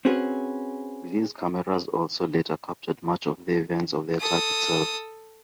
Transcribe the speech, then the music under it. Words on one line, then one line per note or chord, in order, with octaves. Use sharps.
These cameras also later captured much of the events of the attack itself.
C4 C#4 F#4 G#4 B4
A4 D#6